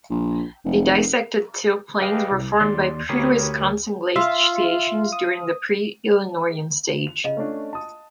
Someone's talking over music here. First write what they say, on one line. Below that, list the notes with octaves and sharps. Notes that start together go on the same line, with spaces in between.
The Dissected Till Plains were formed by pre-Wisconsin glaciations during the Pre-Illinoian Stage.
A#1
F1
G4 G#4 B4 D#5 F5 G5
C2
D#2 D5 C6
D2 G4 A#4 C#5 B5 D#6
F4 E5 C6
D#6
F7
C#3 D#5 F5
A3 C#4 D4
A5 D#6